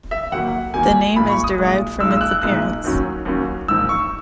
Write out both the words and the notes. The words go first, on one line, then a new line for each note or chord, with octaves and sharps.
The name is derived from its appearance.
E5
D#2 D#3 F#3 A#3 F#5
D#2 D#3 F#3 A#3 G#5
B1 A#2 G#3 B5
C#6
D#6
B1 A#2 G#3
B1 A#2 G#3 D#4 E6
E6
F#6
F#6
B1 A#2 G#3 D#4 F#6
D#2 D#3 F#3 C#4
D#2 D#3 F#3 C#4
A#1 G#2 D#3 E6
C#6